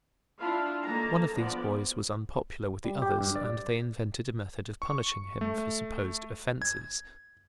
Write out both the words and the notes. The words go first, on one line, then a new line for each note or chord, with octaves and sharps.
One of these boys was unpopular with the others, and they invented a method of punishing him for supposed offenses.
D4 E4 F4 F5 A5 B5
D#3 A#3 A4 A5 A#5
D3 F3 B3 D5
G3
G4
G2
D5
C#6
A3
G#6